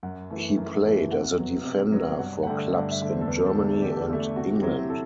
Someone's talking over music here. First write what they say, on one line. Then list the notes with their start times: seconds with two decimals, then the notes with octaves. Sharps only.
He played as a defender for clubs in Germany and England.
0.03 F#2 F#5
0.30 E3 A3
0.57 F#2
0.85 E3 A3
1.12 C3 F#5
1.38 F#3 B3
1.65 C3
1.92 F#3 B3
2.19 G2 F#5
2.43 F#5
2.47 D3 A3 G5
2.74 G2 F#5
2.91 E5
3.02 D3 A3
3.10 C5
3.21 A4
3.27 E2 B4
3.46 A4
3.55 D3 A3
3.64 A4
3.82 E2 G4
3.92 A4
4.04 G4
4.09 D3 A3
4.36 C3 F#4
4.55 G4
4.63 F#3 C4 E4
4.72 G4
4.90 C3 A4